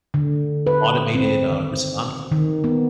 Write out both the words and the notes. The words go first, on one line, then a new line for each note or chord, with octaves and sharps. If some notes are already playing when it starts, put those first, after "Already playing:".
automated, uh, responses,"
D3
B4
C4
D#3
D#3
B3